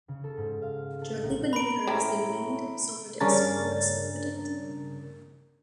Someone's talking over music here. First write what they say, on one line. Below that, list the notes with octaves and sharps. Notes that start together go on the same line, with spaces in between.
Directly beneath her is the Winged Solar Disk, Horus of Behdet.
C#3
A4
G#2
F5
A4
A#1
A#4 A#5 B5 D7
A2 A3 C4 C#4 E5 A#5
G2 C#3 C#4 D4 A#4 A6